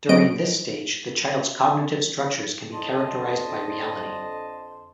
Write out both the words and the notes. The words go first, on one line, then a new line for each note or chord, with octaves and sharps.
During this stage the child's cognitive structures can be characterized by reality.
F#3 C4 D#5 D7
F2 D3 D#5 A5 C6